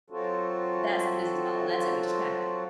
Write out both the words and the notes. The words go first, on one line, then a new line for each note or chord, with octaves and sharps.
That's the business model. That's it, we just cracked it.
F#3 C4 F4 F#4 A4